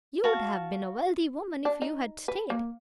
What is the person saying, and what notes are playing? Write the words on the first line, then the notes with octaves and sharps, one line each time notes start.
You would have been a wealthy woman if you had stayed.
F#4 F5 A5
D4
D#4
B4
A#3